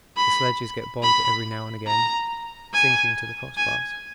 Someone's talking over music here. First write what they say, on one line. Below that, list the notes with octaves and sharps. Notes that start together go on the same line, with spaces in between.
The sledges get bogged every now and again, sinking to the crossbars.
B5
B5
A#5
G#5
G#5